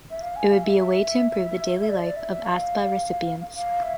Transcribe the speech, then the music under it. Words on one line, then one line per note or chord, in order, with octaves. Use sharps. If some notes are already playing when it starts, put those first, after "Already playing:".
It would be a way to improve the daily life of ASPA recipients.
E5
F5
G#5
F5
E5
E5
D5
E5
F5
F5
E5